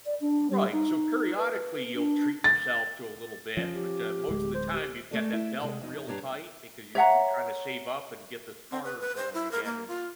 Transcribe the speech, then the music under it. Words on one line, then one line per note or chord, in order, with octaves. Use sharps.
Right, so, periodically, you'll treat yourself to a little bit, but, uh, most of the time you've got that belt real tight because you you're trying to save up and get the car going again and
D5
D4
G3
D#4
B4
D4
A6
F3 C#4
G4
D1 G#3
C5
G4
G#2 A3 A4 D5
E4
C3 G#3
F2 D#4
G2 D4 G4 C#5 A#5
C#5 E5 F#5 A#5
C4
B4
B4
C5
E4
A#4
A#3
F4